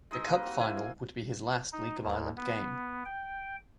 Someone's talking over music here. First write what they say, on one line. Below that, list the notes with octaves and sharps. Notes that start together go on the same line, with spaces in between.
The Cup final would be his last League of Ireland game.
G#3 D#4 D#5 E6
G3 A#3 B4
C4 F#4
A#3 E4 C5 G#5
A#3
D#4
D#2
B3
G5